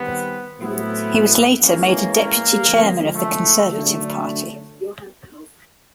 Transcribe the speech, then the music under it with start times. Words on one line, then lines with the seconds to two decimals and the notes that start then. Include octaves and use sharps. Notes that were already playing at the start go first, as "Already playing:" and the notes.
He was later made a Deputy Chairman of the Conservative Party.
Already playing: D#3 G3 B3 C4
0.59 A2 F#3 A3 B3 C4 E4
1.61 E3 G#3 A#3 C#4
2.12 A#3
2.64 D3 F3 G#3
3.14 A3
3.65 D3 F#3 A3 D4